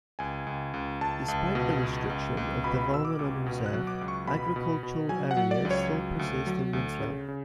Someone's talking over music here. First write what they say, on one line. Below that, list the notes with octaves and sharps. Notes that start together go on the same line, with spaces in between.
Despite the restriction of development on the reserve, agricultural areas still persist in Winslow.
C#2 G#5
C#2
C#2
C#2 A5
C#2
B2
C#2
C#2
C#2
B2 B5
B2 E6
D6
C#2
B2
F#6
F#3
D6
C#2
C#6
B2 B5
B2
B2
F#3 G#5
F#5
F#3
D5
C#2
C#5
F#3
D2
F#3
D2
C#3
C#3